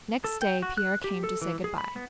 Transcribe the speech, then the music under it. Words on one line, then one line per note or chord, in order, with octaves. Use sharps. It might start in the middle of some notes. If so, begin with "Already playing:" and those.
Next day Pierre came to say good-by.
A4
G5
F#4
F#6
G4
A4
E3
G#4
B5
B3